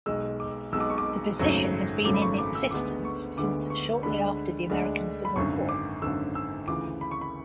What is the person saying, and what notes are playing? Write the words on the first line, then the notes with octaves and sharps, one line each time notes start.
The position has been in existence since shortly after the American Civil War.
B1 B2 G#3 E6
D6
B1 B2 G#3 E6
D6
C#6
D6
G#1 F#2 C#3 F#3 A3
G#1 F#2 C#3 F#3 A3 D6
B5
C#6
D6
E6
D2 D3 G#3 B3 D6
C#6
D2 D3 G#3 B3 D6
C#6
D2 D3 G#3 D4 B5
D2 D3 G#3 D4
B5
G#1 F#2 D3 C#6
D6
G#1 F#2 D3 E6
E6
D2 C#3 E3 D6
B5
C#6
B5